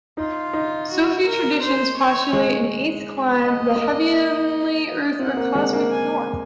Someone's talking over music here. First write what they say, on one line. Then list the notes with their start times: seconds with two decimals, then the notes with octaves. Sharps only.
Sufi traditions postulate an eighth clime, the "heavenly Earth" or "cosmic North".
0.17 D#4 F4
0.53 D#4
0.89 F#4
1.25 A#4
1.61 C5
1.96 C#5
2.33 G#3
3.41 D#5
3.76 A#3
5.19 C4 F#5
5.37 A#3
5.55 G#3
5.73 A#3
5.92 G#5